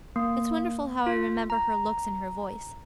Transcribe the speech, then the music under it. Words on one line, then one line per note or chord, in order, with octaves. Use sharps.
It's wonderful how I remember her looks and her voice.
A#3
F4
A#5